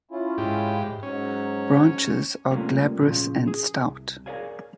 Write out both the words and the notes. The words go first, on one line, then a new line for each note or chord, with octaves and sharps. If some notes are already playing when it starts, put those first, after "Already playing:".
Branches are glabrous and stout.
C#4 E4 F4
G#2 G4
G#2 F#3 C#4
C3 F3 G3 A3 A#3 C#4
A#2 C#3 F3
G#4
C2
G#4 A#4 C#5 D5 F5 G#5